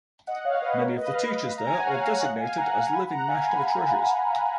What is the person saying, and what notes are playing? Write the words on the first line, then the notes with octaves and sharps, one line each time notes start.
Many of the teachers there are designated as Living National Treasures.
D#5 F#5
C#5 F5
B4 D#5
A#4 C#5
B4 D#5
F5
B4 D#5
A#5
G#5
F#5
C#5 F5
F5
D#5 F#5
F5 G#5
F#5 A#5
G#5 B5
F#5 A#5
F5 G#5
G#5 B5